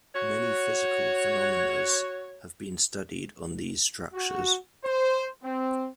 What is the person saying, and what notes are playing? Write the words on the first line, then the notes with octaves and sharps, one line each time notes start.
Many physical phenomenas have been studied on these structures.
F#4 C#5
F#4
C5
C4